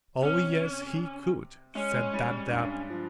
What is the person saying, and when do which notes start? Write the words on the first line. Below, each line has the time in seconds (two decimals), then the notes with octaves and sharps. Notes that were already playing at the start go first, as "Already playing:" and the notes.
"Oh, yes, he could," said Dab-Dab.
0.22 C3 C#4
1.75 G#3 C#4
1.94 G#3
2.14 G3
2.52 G2
2.90 F3